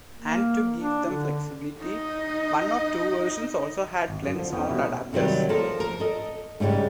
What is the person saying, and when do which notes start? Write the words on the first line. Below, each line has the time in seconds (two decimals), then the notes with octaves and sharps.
And to give them flexibility, one or two versions also had lens mount adapters.
0.18 A#3
0.79 D4
1.05 D3
1.79 D#4 D#5
4.08 G#1
4.23 F#2
4.36 D3 F3
4.52 F2 B3 C#4 G5
4.67 B2 G3 A3 B3 C#4 E4
5.13 C3 D#3 F#3 G3
5.49 F3 A4 A#4
5.80 A#4
6.00 A4 D#5
6.60 G#2 C#3 F3 G3 G#3